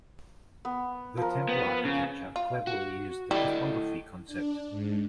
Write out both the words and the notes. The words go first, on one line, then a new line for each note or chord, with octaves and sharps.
The Temple Architecture cleverly used the topography concept.
B3
F3 A#4
B3
C#3
F4
F#4
G3 E4 A4 D#5
D4
G#2